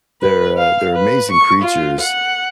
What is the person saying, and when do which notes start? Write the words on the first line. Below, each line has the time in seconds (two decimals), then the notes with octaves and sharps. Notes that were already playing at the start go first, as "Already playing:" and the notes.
They're, uh, they're amazing creatures,
0.22 B4
0.57 F5
0.94 B4
1.32 C#6
1.62 F4
2.01 F#5